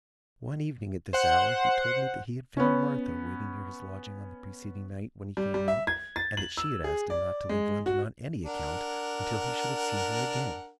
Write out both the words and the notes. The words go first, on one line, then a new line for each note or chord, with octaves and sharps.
One evening, at this hour, he told me that he had found Martha waiting near his lodging on the preceding night when he came out, and that she had asked him not to leave London on any account, until he should have seen her again.
C5 F#5
B3 C#4
G3
G3
E5
G#6
A6
F#7
E6
G#4
D5
G#3
F#4
D4 A#4 F#5